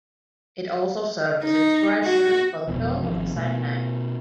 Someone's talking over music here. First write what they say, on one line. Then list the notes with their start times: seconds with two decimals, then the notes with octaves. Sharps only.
It also served as inspiration for the film of the same name.
1.44 D#4
2.05 F#4
2.68 F1 C#2 B2 E3
3.03 G#1 D2 C3 F3
3.36 B2 A3